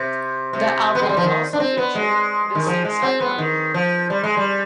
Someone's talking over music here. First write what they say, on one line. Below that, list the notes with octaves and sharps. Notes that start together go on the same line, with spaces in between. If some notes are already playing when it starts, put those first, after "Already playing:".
The album also featured "The Saints are Coming".
Already playing: C3
C3
B3
G#3
G3
F3
D#3
D4
C4
B3
G#3
D#3
F3
G#3
C4
B3
D#3
F3
G3
G#3
G3